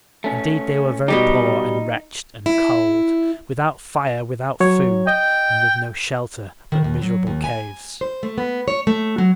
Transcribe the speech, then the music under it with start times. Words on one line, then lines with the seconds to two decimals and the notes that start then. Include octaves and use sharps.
Indeed, they were very poor and wretched and cold, without fire, without food, and with no shelter but miserable caves.
0.24 A3 C#4
1.08 B2 G3 D#4 G4
2.46 E4
4.60 F#3 C#5
5.07 D#5 G5
6.72 D#3
6.84 D#2
7.02 F#3
7.27 D#2
7.44 G#5
8.01 C5
8.23 A3
8.38 B3
8.68 C#5
8.87 A3
9.18 F#3